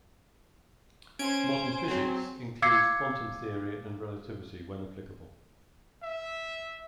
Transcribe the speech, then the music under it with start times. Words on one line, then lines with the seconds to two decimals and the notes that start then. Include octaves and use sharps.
Modern physics includes quantum theory and relativity, when applicable.
1.19 C#4 C5 G#5 G#6 D7
1.88 F#3 C4
2.62 F5 D6 E6 G#6 C7 C#7
6.03 E5